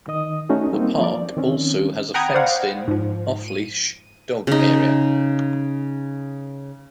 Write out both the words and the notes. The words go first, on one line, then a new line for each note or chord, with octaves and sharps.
The park also has a fenced-in off-leash dog area.
D#3 D#5 D#6
A3 C#4 D#4 F#4
G3 A#3 C4 D#4
F3 D5
D#3 C4 C#4
F#5 G5 A#5 B5 D#6 G#6
C5 D5 F5 F#5
G#2 F3
D#7
C#3 D#4